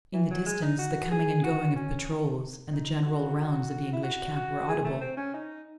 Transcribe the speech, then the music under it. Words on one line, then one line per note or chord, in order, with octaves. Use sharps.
In the distance the coming and going of patrols and the general rounds of the English camp were audible.
E3
F#3
G#3
D#4
F#4
G#4
F#4
C#4
D#4
F#4
E4
F#4
F#4
G#4
A3
C4
C#4
D#4